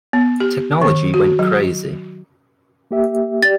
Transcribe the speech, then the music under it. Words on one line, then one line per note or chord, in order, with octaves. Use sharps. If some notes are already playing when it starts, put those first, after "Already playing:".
Technology went crazy.
B3
G4
D#3
F#4
F#3
A#3 G4 E5
G4 D5 A6